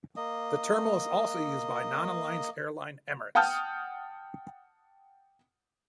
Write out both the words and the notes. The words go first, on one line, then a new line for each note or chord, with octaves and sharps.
The terminal is also used by non-alliance airline Emirates.
A#3 D#5
F#5 G5 A5 D#6 F6 G6